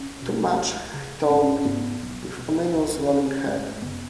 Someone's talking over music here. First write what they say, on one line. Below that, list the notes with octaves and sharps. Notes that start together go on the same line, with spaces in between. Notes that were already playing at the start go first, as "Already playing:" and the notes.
Too much, he told me, with ominous rolling head.
Already playing: C#4
B2
C#2
C#3
G#1 C#4
G#2 B3
B1
B2
C#2
C#3
G#1 G#3
G#3
F#2 C#3 B3